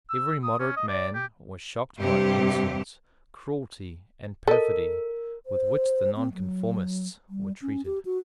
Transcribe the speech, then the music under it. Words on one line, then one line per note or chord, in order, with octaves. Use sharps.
Every moderate man was shocked by the insolence, cruelty, and perfidy with which the Nonconformists were treated.
E6
D#6
C#4
D#5
D5
G4
G2 C3 G4
A4 A#4 D#5
C5
C4
F#3
G3
C#4
G4
F#4